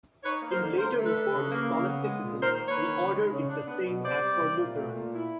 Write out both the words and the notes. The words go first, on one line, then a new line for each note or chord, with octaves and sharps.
In later Reformed scholasticism the order is the same as for Lutherans.
D#4 B4 C#5
A#3
A#4 C5
D3
D3 A#4 C5
A3
A4 B4
D3
C#3
A#3
C#3
B3
G#3
A#2
D#3 A#4 C5
A#3
B4 C#5
D#3
C#3
G#3
C#3
D4
B3
B2
C3 C5 D5
G3
C3
A#2
A3
A#2
E4